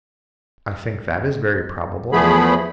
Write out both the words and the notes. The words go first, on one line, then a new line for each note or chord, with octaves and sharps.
"I think that is very probable."
E2 F3 A3 B3 G#4 B5